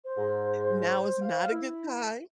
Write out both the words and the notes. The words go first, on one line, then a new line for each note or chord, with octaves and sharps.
now is not a good time"
C5
G#2
F5
E4